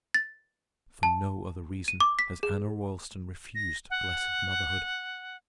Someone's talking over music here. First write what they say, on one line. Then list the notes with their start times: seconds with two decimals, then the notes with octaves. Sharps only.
For no other reason has Anna Roylston refused blessed motherhood.
0.14 A6
1.03 A5
1.88 D#7
2.00 D6
2.19 B6
2.43 G#4
3.55 A#6
3.90 F#5